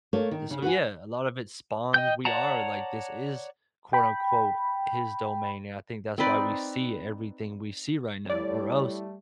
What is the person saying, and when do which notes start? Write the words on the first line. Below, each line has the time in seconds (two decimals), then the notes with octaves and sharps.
And so, yeah a lot of it spawns, we are like, this is quote unquote "His domain," and I think that's why we see everything we see right now or else
0.13 A3 A#3 A4 C#5
0.31 D#3
0.50 C#3
0.62 F#4 B4 F#5 G#5
1.94 D#5 G5 G6
2.25 C#5 D5 F#5 A5 A#5
3.93 G5 B5
6.18 C4 D#4 B4 D5
8.30 G3 A3 E4 C#5 D5